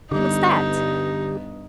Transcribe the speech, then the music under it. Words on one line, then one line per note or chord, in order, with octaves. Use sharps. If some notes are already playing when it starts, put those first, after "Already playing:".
"What's that?"
G2 D3 G3 B3 D#4 G4